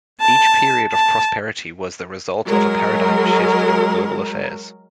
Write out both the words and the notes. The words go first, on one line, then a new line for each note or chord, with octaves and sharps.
Each period of prosperity was the result of a paradigm shift in global affairs.
A5
A5
F#3 G#3 A#4